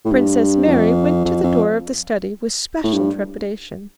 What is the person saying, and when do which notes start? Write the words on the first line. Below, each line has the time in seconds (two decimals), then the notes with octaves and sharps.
Princess Mary went to the door of the study with special trepidation.
0.05 A2
0.12 G2
0.68 F2
1.25 F2
1.43 F2
2.84 A2
2.93 G2